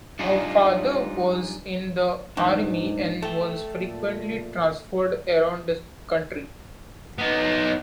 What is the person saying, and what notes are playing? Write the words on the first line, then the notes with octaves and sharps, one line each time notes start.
Her father was in the Army and was frequently transferred around the country.
G3 D4 D#4 F4 G#4
E2 G#2 D4
A3 A4 G5
A#2
B3 D#4